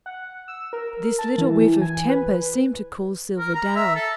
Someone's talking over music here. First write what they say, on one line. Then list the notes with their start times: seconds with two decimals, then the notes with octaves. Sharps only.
This little whiff of temper seemed to cool Silver down.
0.06 F#5
0.48 E6
0.73 A#4
1.19 A5
1.38 E3
1.82 G#5
2.09 B4
3.39 A#4
3.54 A#5
3.76 E5
3.95 A4